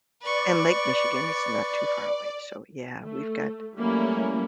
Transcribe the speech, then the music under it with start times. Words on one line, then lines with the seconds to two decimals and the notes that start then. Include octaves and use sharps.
and Lake Michigan is not too far away, so, yeah, we've got
0.22 B4 D5 C#6
3.03 A3
3.76 F#3 G3 A3 A#3 C#4 E4